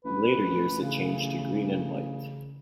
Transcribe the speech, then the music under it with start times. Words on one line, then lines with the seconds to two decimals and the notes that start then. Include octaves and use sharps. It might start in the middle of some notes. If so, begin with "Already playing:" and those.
In later years it changed to green and white.
0.05 A1 B4
0.81 C#3